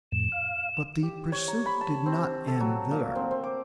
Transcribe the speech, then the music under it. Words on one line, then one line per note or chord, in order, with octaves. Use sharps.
But the pursuit did not end there.
F2 A2 E7
F5
G4
C#5
A#5
B5
A5
C4
A4
F#3
A#2
C4
C4
D6